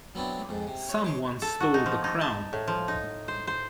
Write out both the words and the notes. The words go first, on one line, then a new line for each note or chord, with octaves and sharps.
Someone stole the crown!
F#3 B3 C4 D4 E4
F2 G#2
C3
C#5
C5 C#5 D6
A4
F#4
D#4
F3
D#4
A5
A2
F3
D#4
C5
C5